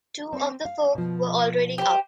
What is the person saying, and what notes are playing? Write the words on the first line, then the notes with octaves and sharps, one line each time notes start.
Two of the Folk were already up.
C4
F5
B2 F3
G4 C5